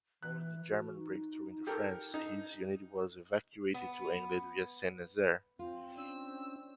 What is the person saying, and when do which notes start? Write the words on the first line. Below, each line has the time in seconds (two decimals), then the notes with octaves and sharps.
Following the German breakthrough in France, his unit was evacuated to England via Saint-Nazaire.
0.22 E3 F#6
0.69 F#4
0.97 D#4
1.67 G4 A4 A#4
2.14 D#4
3.74 B3
5.59 C4 F4
5.98 C#4 D4 E6